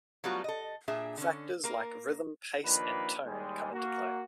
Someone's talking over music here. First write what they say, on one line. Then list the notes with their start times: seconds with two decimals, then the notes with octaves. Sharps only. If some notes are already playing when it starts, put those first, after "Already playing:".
Factors like rhythm, pace, and tone come into play.
0.24 F#3 G3 A3 B3 F4 F#4
0.44 A4 D#5
0.88 A#2 D4 G#4 E5
1.17 D3 C#4
1.64 A#3 A#4
2.64 D#2 D#3 F3 A#3 D4 B4
3.25 D#2 G3 G#3
3.72 A#3 F#4